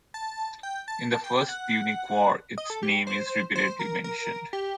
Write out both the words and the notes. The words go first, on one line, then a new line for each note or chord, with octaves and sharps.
In the First Punic War its name is repeatedly mentioned.
A5
G5
A5
A5
G5
G5
F#5
D#5
A4
G4
C5
C5
A#4
A#4
G4